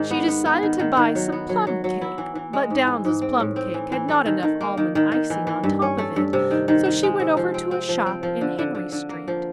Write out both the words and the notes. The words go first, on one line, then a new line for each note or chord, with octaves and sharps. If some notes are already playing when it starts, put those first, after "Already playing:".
She decided to buy some plumcake but Downes's plumcake had not enough almond icing on top of it so she went over to a shop in Henry Street.
Already playing: G#2 D#3
B3
B3
B3
D#3
D#3
D#3
F#3
B3
F#3
F#3
F#3
E4
E3
E3
G#3
G#2
E3
G#2
C4
A2
C4
E3
E3
A3
D#3
D#3
A#3
D#3
D#3
D#3
E3
E3
G2
C#4
A3
G2
C3
D#3
D#3
D#3
G#3
C3
F3
C4
C4
F3
C4
F3
D3
D3
D3
D3
A#3
F3